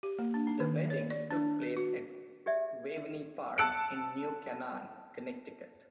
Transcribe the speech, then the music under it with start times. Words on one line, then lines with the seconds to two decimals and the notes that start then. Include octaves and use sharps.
The wedding took place at Waveny Park in New Canaan, Connecticut.
0.03 G4
0.19 A#3
0.34 D4
0.47 D#4
0.60 D#3
0.78 D5
0.90 C#5
1.10 D5
1.31 D4
1.61 B4
1.77 F#4
2.46 G4 G#4 C5 D5 E5
3.58 A5 E6 F#6 C#7 D7